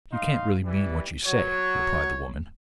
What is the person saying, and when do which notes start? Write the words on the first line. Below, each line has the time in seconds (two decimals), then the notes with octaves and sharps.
'You can't really mean what you say?' replied the woman.
0.11 D#4 F5 C6
0.65 E3 G3
1.26 F#3 C#5